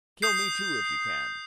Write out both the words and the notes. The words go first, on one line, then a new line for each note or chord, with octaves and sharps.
Kill me too, if you can.
D#6 G6 C7